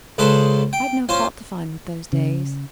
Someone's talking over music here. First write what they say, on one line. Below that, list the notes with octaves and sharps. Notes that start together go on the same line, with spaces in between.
'I'd no fault to find with those days.
C#2 C#3 A4 B4 C5
G5
C#4 F4 C5
C#3